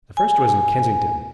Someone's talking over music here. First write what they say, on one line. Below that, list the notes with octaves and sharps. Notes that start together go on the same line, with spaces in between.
The first was in Kensington.
G#5